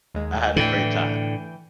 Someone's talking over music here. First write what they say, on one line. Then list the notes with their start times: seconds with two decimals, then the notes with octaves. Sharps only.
I had a great time.
0.15 D#2 G#3
0.56 A2 D3 E3 G5